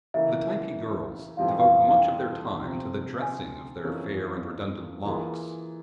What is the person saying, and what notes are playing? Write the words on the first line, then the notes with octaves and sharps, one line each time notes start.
The Typee girls devote much of their time to the dressing of their fair and redundant locks.
C#3 E3 A#3 E4 E5
F2 E3 G3 C4 F4 F5
G5
F5
F5
G5
C3 F3 C4
G#5
F2 E3 A#3 C#4
E3 A#3 F4 G#4